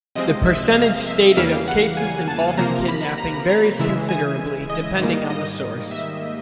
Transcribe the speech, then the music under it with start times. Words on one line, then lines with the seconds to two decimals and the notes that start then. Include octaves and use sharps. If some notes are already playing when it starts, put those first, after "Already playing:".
The percentage stated of cases involving kidnapping varies considerably, depending on the source.
0.15 C3 F3 G#3 C4 D#5
0.46 E5
0.77 F5
1.07 E5
1.37 E2 C#3 E3 G3 A#3 F5
1.68 F#5
1.97 G#5
2.28 A5
2.57 C3 F3 A#3 A#5
2.88 B5
3.18 A#5
3.49 A#5
3.79 C#3 E3 G#3 E5
4.09 G#5
4.70 D#5
5.00 G#2 D#3 G3 A#3
5.30 D#5
5.91 E5